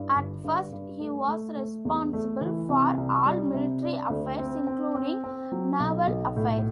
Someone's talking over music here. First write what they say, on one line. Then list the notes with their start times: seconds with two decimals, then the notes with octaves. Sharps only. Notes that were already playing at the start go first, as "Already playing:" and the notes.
At first, he was responsible for all military affairs, including naval affairs.
Already playing: G2 E4
0.16 G1
0.44 G2
0.72 G2
1.00 A3
1.28 A3
1.57 A3
1.85 E2
2.13 A3
2.41 E3
2.69 C3
2.97 C2
3.26 G3
3.54 C3
3.82 D4
4.10 D2
4.38 C4
4.67 C4
4.95 C4
5.24 C4
5.52 F#3
5.80 B1
6.07 B1
6.36 A2